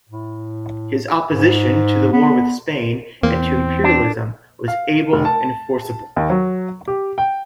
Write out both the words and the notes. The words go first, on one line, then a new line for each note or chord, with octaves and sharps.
His opposition to the war with Spain and to imperialism was able and forcible.
A2
G#2
B3
E2 A#3 C4
D4
F5
F1
A5
D#2
F#3
G4
G5